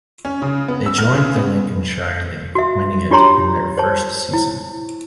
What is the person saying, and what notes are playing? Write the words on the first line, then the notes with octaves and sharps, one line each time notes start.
They joined the Lincolnshire League, winning it in their first season.
C#4
C#3
B3
E6
F6
C#3
B3
F#4 E5
D4 F4 G4 C#5 A#5 C6
C5 C#5 A5
E4